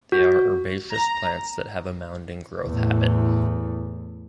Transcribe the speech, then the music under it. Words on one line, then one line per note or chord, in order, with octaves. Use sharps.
They are herbaceous plants have a mounding growth habit.
F#4
A#5
E2 A2